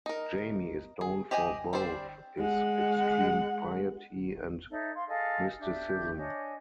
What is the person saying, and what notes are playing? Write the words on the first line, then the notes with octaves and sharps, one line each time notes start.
Jami is known for both his extreme piety and mysticism.
D#4 A#4
G#4
G4 G#4 D#5 G5 G#5
G3 C4 D4 C5
G#3 F#5
D#4 A4 C#5 E5
F5 C6
G#4 A4 D#5 F5
D4 G4 E5 G6
D4 C#5 D#5 G#5